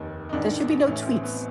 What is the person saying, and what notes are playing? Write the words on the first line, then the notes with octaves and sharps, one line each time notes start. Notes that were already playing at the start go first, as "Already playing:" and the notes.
There should be no tweets.
Already playing: F1 D#2 D#3
D#4
A1 G#2 D#3 D4
A1 A2 E3 C#4
C4
B3